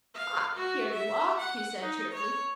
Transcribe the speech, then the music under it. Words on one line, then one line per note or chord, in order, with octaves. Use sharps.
"Ah, here you are," he said cheerfully.
F5
F#4
E5
F#5
D#4
C#5